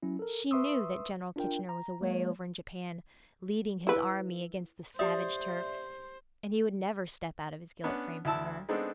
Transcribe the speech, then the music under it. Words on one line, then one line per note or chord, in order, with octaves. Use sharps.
She knew that General Kitchener was away over in Japan, leading his army against the savage Turks; and he would never step out of his gilt frame for her.
F#3 C#4 E4
A4 A#4
B4 E5 C6 C#6 D#6 E6
D4 F4 A#4 G5
A#5
G#3 A#3 C#5
E4 B4
G4 C5 D5 E5 D#6
B3 C#4 D4
D2 E4 A5 E6
G#3 B3 C4 D4 D#4 A4